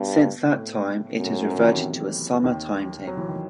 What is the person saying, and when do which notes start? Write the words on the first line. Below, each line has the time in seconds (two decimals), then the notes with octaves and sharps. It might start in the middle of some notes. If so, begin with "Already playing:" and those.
Since that time it has reverted to a summer timetable.
Already playing: G2 B2
0.55 A2
1.18 F#2 B2
1.24 A2
1.40 A2
1.50 F#3
1.58 E3
1.65 D#3
1.73 C3
1.81 B2
2.44 D#2 D#3
3.07 F#3
3.17 E3
3.28 D#3